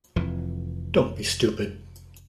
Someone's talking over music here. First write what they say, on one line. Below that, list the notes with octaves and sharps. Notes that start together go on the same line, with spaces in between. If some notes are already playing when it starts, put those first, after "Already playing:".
Don't be stupid.
F1 F2 E3